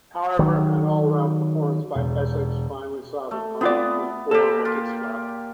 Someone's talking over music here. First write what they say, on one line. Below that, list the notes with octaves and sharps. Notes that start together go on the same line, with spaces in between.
However, an all-round performance by Essex finally saw them home with four wickets left.
D#3 F#3
E1
A3
B3 C4 F4 D5
A#2 G4 A4
F4